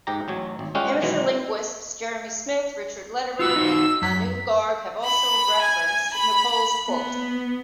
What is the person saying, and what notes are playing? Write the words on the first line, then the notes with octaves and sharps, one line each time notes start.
Amateur linguists Jeremy Smith, Richard Lederer, and Anu Garg have also referenced Nicoll's quote.
G#2 G4 A#5
A1 F#3 C#5
G#1
G3 G#3 C#4 F4 G4 F#5
B2 D#3 E3 F#3 G#3
F4 F#4 B4 E6
D#4 F#4 C5
F#2 B6
B5
G#5
B5
B3